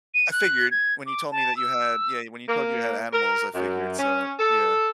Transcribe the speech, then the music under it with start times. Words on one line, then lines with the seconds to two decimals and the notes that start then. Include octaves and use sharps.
I figured, when you told me that you had yeah, when you told you had animals, I figured, so, yeah.
0.14 D#7
0.32 F#6
0.71 G#6
1.06 D6
1.31 A5
1.57 E6
2.49 A#3
3.13 A#4
3.55 F#2
3.98 C#4
4.39 A4